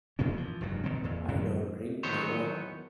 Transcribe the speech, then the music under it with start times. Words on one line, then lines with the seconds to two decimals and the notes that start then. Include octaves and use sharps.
I don't drink no more.
0.19 F#2 A#2 F3 C#4
0.33 E3 F3
0.61 F1 D2 G2 F#3
0.84 B2 D3 D#3 C4
1.04 E2 A#2
1.28 F#2 A2 D#3 F#3
2.03 E2 D#3 F#3 B3 C5 C#5